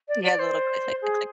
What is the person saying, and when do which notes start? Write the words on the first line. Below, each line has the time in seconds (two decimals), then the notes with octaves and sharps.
Yeah, the little click, click, click, click.
0.09 D5
0.24 D5
0.39 C5
1.02 G#4